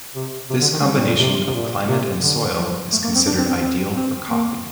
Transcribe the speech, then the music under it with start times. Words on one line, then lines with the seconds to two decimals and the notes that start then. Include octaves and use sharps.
This combination of climate and soil is considered ideal for coffee.
0.15 C3
0.50 C3
0.61 D3
0.73 D#3
0.80 A3
0.84 G3
0.96 A#2
1.07 A#2
1.19 C3
1.47 C3
1.54 A#2
1.88 C3
2.22 D3
2.57 F3
2.92 A3
3.04 A#3
3.15 C4
3.26 D4
3.38 C4
3.49 C4
3.61 C4
3.96 C4
4.30 A#3